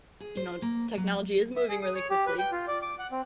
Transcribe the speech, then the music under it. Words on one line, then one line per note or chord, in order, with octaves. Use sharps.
you know, technology is moving really quickly.
G#4
C5
A#3
F#3
E5
G#4
D#6
C#5
G4
B4
G5
F4
D5
D6
F#5
C4